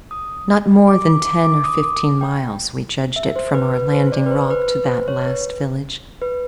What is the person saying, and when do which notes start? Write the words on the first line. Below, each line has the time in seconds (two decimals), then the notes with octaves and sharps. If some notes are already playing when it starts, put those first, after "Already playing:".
Not more than ten or fifteen miles we judged it from our landing rock to that last village.
0.11 D#6
0.88 D6
1.07 D6
1.26 D6
1.44 D6
1.64 D#6
1.83 D6
2.21 G5
3.16 E5
3.36 C5
3.54 B4
3.74 B4
3.93 C5
4.12 D5
4.26 B4
4.31 C5
4.50 B4
4.69 B4
4.88 C5
5.08 C#5
5.26 B4
6.22 B4